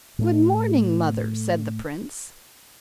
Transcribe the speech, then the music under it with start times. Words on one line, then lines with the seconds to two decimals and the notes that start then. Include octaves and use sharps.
'Good-morning, mother,' said the prince.
0.19 A2 A3